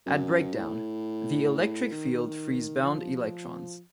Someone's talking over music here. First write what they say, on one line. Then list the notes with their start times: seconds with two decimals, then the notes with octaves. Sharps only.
At breakdown, the electric field frees bound electrons.
0.06 F#2
0.53 A2
1.92 D#3
2.86 F3